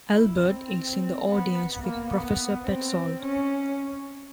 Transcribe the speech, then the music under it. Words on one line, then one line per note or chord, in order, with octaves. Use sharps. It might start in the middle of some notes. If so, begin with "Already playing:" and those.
Albert is in the audience with Professor Petzold.
E4
C4
B3
A#3
B3
C4
C#4